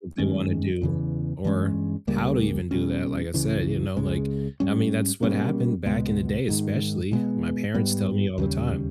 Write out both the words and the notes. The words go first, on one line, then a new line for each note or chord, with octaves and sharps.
what they wanna do, or how to even do that, like I said, you know, like, I mean, that's what happened back in the day, especially. My parents tell me all the time,
G2 D#3 G#3 C#4
E2 C#3 E3
G2 E3 G#3 C#4
C#2 C#3 G3 A#3
B2 G3 C#4
C#2 C#3 E3
C#2 C#3 G#3
G#2 G3 C#4
B2 G3 A#3 C#4
C#2 B2 G#3 B3
G#2 D#3 G#3
B2 G#3 B3
G#2 G3 B3
D#2 C#3 G3